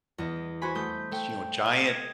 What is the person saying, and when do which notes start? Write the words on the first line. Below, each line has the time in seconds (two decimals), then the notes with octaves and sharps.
you know, giant
0.18 E2 D#5
0.62 F#4 C5 G#5 B5
0.75 A3 D#6 G6
1.11 A3 G5
1.70 D#5
1.88 G#6